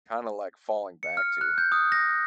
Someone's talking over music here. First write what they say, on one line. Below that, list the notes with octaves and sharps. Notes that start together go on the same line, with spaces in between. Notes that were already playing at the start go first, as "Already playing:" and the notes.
kind of like falling back to
C#7
F6
F#6
G6
D#6
A#6